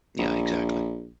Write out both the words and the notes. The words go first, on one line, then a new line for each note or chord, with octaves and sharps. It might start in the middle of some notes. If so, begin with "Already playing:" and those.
Yeah, exactly,
A#1